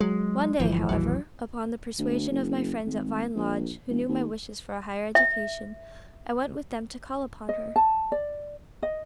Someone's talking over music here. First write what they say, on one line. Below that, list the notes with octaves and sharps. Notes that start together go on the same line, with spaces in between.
One day, however, upon the persuasion of my friends at Vine Lodge, who knew my wishes for a higher education, I went with them to call upon her.
F#3 G#3
G1 E3 F3
A1 D#2 E3 F#3
D2
F#1
G#1
A#1
E1
D#2
E5
D#5
A5
D5
D#5